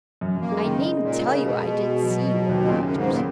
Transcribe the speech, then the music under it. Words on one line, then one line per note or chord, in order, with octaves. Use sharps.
"I needn't tell you I didn't see you, Old Rogers."
F#2
F#2 A#3
G#3
D#3
C#3
D#4
G#3
A#2
A#4
C#3
A#4
B2 G#3
G#3
G#3
G#4
F#3
F#3
F#3
D#2
A#2 C#3
F#2 C#3
G#2 C#3
A#2 B3